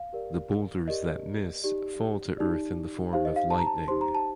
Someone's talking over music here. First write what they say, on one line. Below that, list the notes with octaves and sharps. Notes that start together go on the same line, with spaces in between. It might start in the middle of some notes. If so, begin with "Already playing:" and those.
The boulders that miss fall to earth in the form of lightning.
Already playing: F5
G4 A#4 D5
G4 A#4 D5 D#5
D#4 G4 D5
D#4 G4 D5
D#4 G4 C5 F5
D#5
F5
A5
A#5
A5
D#4 G4 C5 C6
A#5
A5